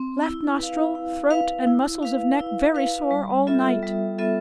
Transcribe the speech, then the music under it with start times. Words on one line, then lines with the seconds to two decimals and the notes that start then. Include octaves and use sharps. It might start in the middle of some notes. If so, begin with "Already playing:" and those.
Left nostril, throat and muscles of neck very sore all night.
Already playing: C4
0.23 E4
0.59 B4 F5
0.95 E4
1.31 B4 F5
1.67 E4
2.03 B4 F5
2.39 E4
2.75 B4 F5
3.11 G3
3.47 B3 F4 A4 E5
3.82 G3
4.18 B3 F4 A4 E5